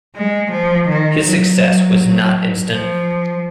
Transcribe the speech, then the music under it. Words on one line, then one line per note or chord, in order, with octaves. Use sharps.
His success was not instant.
G#3
F3
D#3
F#3
F3